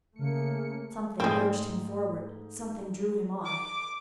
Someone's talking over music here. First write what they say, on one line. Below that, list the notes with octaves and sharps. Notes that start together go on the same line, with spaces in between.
Something urged him forward; something drew him on.
C#3 A3 A#3 C#7
G#2 G#3 A3 C4 D#6
D6